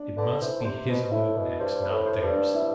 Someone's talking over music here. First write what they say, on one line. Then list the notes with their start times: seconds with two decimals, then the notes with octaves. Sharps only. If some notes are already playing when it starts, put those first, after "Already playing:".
It must be his move next--not theirs!
Already playing: D4 D5
0.17 D3 B4
0.41 E3 C5
0.60 D3
0.64 C3 C5
0.88 B2
1.02 B2
1.11 A2 E4 E5
1.36 B2
1.59 G2 C5
1.82 B4
1.90 A2
2.06 C5
2.22 G2
2.30 D4 D5
2.54 E4 E5